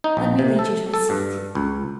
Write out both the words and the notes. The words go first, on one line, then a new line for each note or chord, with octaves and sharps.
Let me lead you to a seat.'
D#4
A#1
C3
A4
A4
G2
C#2